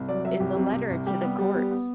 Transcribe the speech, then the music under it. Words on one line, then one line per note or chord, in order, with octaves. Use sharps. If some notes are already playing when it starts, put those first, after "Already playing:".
is a letter to the courts.
Already playing: C2
F#3 D5
F#3 E5
C2 G4
C3
C3
C2
G3 G4
B3
G3
B3
B3